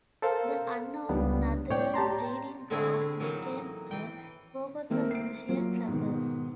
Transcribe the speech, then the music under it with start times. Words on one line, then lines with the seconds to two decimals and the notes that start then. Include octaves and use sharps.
The unknown northern breeding grounds became a focus of Russian trappers.
0.22 A4 A#4 C5 F5
1.09 C#2 C#3 G3 B3 D4
1.70 A2 C#5 D5 G5
1.94 G4 A5 A#5 C6
2.70 A2 D3 A3 C4 E4 G#4
3.20 E3 F#3 A#3 D#4
3.91 E3 G5
4.90 D#3 A3 A#3 C4 A#4
5.11 C7 D7
5.49 F#3 A#3 F4
5.87 G#2 B2 D#3